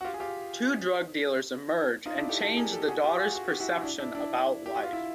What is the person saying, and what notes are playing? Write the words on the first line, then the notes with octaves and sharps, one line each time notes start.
Two drug dealers emerge and change the daughter’s perception about life.
F#4
F4 G4
G#4
F4 G4
D#4 F4
D4 E4
G4 A4
G4 A4
G#4 A#4
G4 A4
F#4 G#4
F4 G4
F#4 G#4
F#4
G4
E4 F#4
D4 E4
D4 E4
D4 E4
G4
F#4
F4
E4